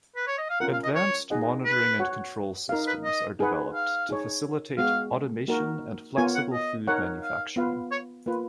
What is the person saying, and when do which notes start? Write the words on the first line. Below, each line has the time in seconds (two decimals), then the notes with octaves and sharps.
Advanced monitoring and control systems are developed to facilitate automation and flexible food manufacturing.
0.16 B4
0.27 C#5
0.38 D#5
0.50 F5
0.60 C#4 F4 A#4 F#5
0.73 F5
0.84 D#5
0.95 C#5
1.30 D#4 G#4 D#5 F#5
1.65 B4
2.00 F#4 C#5 F#5
2.69 D#4 A#4 F5
2.87 B4
3.04 D#5
3.39 D#4 G#4 B4 F#5
3.74 F5
4.09 D#4 G#4 C#5
4.78 G#3 B3 F#4 F5
5.48 A#3 D#4 F#4 A#4
6.17 B3 F4 A#4 C#5 G#5
6.35 F#5
6.52 D#5
6.87 D#4 A#4 C#5 F#5
7.22 F5
7.56 B3 F4 B4 F5
7.92 C#5
8.26 A#3 F4 B4